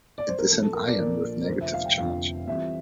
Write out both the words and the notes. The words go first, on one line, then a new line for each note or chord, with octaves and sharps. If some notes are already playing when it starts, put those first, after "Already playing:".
It is an ion with negative charge.
D5
C5
A#4
A#1 A#2 F3 A4
A4
A#4
D5
A#1 A#2 F3 A#4
A#4
F1 F2 D3 F3 C5
E5
F5
G5
F1 F2 D3 F3 F5
F2 E3 G3 C4 E5